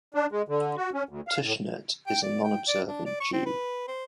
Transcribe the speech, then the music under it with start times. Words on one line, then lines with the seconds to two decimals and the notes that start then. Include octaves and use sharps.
Tushnet is a nonobservant Jew.
0.15 D4
0.32 G#3
0.48 D3
0.77 F#4
0.94 C#4
1.09 D2
1.28 F5
1.44 A2
2.07 G5
2.23 D5
2.44 G5
2.68 D5
2.88 D4
3.06 D5
3.20 C#6
3.33 C4
3.46 B4
3.88 C5